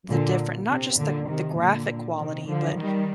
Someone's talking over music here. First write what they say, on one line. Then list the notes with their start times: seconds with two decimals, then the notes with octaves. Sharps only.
the different not just the g the graphic quality, but
0.09 A#2 D3
0.69 C3
0.98 A#2 D3
1.28 C3 D#3
1.57 A#2 D3
2.17 C3 D#3
2.46 D3 F3
2.76 D#3 G3